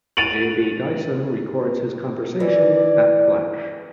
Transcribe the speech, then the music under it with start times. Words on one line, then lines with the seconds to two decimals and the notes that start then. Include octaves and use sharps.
J B Dyson records his conversion at Flash.
0.17 A6 D7 D#7 F7 F#7
2.40 E3 D5